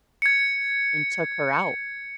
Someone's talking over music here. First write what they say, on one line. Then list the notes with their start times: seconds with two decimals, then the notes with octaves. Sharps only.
and took her out,
0.22 G#6 C#7